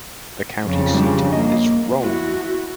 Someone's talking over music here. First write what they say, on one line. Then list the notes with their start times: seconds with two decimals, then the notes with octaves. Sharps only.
The county seat is Rome.
0.63 F2 C#3
0.94 G3 D4
1.33 A#3 D#5
2.00 E4 F#4